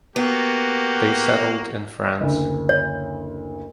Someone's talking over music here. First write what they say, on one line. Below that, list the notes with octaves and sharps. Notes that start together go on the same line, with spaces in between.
They settled in France.
A#3 B3 F#4 G4
F#1 D2
C#5